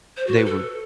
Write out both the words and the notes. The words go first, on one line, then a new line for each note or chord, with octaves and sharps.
They were
C5
F#4
B4
A4